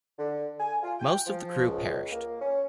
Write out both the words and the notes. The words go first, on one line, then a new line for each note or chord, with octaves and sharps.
Most of the crew perished.
D3
G#5
F4
G5
F3
C#2
A#3
C#4